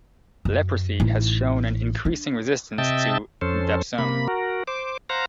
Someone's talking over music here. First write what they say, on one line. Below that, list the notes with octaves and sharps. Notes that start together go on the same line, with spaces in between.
Leprosy has shown an increasing resistance to dapsone.
F#2
A1 D#4
D4
C3 D#5 E5 G5 A5
F2 C#4 A4 C5
C3 A#3 B5
F#4 A#4
C5 D6
C5 F5 F#5 A#5